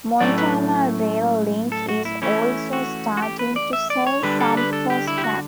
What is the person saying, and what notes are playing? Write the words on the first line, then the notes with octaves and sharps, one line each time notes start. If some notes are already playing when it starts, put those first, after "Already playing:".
Montana Rail Link is also starting to sell some for scrap.
A2 F#3 A3 C#4 D5
B4
A4
F#4
E4
E3 A3 C#4 E4
F#4
F#4
G4
B4
D5
E5
D5
C#5
D3 G3 D4 B4
A4
B4
A4
G4
E4
G4
F#4